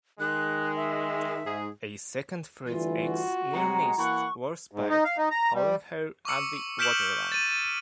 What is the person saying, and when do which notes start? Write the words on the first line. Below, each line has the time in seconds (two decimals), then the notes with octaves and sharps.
A second Fritz X near-missed "Warspite", holing her at the waterline.
0.20 D#3 G#3 F#6
0.76 E5
1.46 G#2 G#4
2.67 D2 G2 E3 F4
3.04 F#4
3.54 C3 F#3 G#3 F#5 A#5
3.98 E3 A#3 F#5 C#6
4.72 G#2
4.89 D#4
5.05 F5
5.17 D#4
5.31 A#5
5.54 G3
6.25 C#6 D6 E6 C#7
6.79 F6 G6 B6 D7 E7 F#7
7.32 A6 D#7